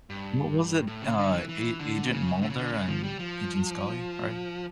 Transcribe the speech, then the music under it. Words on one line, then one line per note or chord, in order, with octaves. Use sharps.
What was it, uh, A Agent Mulder and Agent Scully, right?
G2
A2
C#3
D3
E3
E3
D3
C#3
D3
C#3
D3
C#3
F3
G3
F3